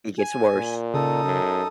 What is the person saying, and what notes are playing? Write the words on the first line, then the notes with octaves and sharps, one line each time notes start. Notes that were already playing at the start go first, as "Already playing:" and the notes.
It gets worse,
G#5
A#2
C#3 D#4 A4 D#6
F#2